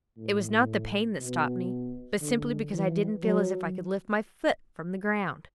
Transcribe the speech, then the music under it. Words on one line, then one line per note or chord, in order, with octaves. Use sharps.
It was not the pain that stopped me, but simply because I didn't feel as if I could lift my foot from the ground.
A2
B2
D3
E3
F#3